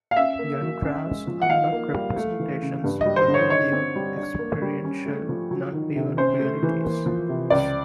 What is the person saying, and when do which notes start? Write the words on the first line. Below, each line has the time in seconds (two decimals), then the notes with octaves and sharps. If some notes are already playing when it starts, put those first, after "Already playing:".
"Yantras" are not representations, but are lived, experiential, nondual realities.
0.11 F5
0.16 C#4 E5
0.39 A#3
0.62 F#3
0.83 C#4
1.06 G#3
1.27 F3
1.42 F#5
1.50 D#4 F5
1.72 A#3
1.94 G3
2.16 A3
2.40 E3
2.62 C#3
2.84 G2
3.01 G3 D#5
3.16 C5
3.28 D3
3.34 C#5
3.50 D#4 C#5
3.72 C4
3.95 G3
4.17 D4
4.39 A#3
4.62 G3
4.84 C#4
5.06 A3
5.29 F3
5.51 F#3
5.73 D#3
5.95 C3
6.17 C#4 C5
6.39 A3
6.63 E3
6.84 A#3
7.06 F3
7.29 C3
7.50 C#2 D5